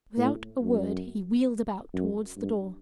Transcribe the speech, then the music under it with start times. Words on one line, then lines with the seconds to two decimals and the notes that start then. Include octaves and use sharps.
Without a word he wheeled about towards the door.
0.17 A2
0.61 F#2
1.93 F#2
2.37 G2